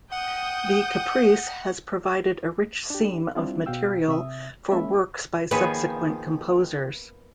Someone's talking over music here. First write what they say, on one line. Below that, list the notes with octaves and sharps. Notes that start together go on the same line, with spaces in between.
The caprice has provided a rich seam of material for works by subsequent composers.
F#5 G5 D#6 G6
D4 G4
G3 C4 D4 E4 F4
B2 F#4 F5 G5 E6
C3 E5 D#6
G#3 A#3 C#4 G#4 E5 B5
D#3 F3 A#3 B3 G#4 B4